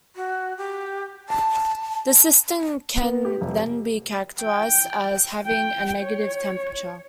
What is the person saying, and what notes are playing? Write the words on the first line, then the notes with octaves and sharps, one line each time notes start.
The system can then be characterised as having a negative temperature.
F#4
G4
A5
B3
G4
F1
G5
G5
C#5